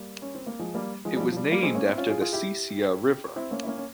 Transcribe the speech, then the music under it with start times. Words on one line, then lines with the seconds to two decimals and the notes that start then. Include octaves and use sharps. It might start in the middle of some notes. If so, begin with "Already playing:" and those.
It was named after the Sesia river.
Already playing: G3 A#3
0.22 C#4
0.35 C4
0.46 A#3
0.59 F3 G#3
0.74 G3 A#3
1.05 F3 G#3
1.17 G3
1.20 F3
1.32 F3
1.37 G3
1.51 G3 A#3
1.62 G#3 C4
1.75 A#3 C#4
1.86 C4 E4
1.97 C#4 F4
2.09 F4 G#4
2.21 F4 G#4
2.33 E4 G4
3.36 C4 E4
3.51 A#3 C#4
3.63 E4
3.66 A#3 C#4
3.78 C#4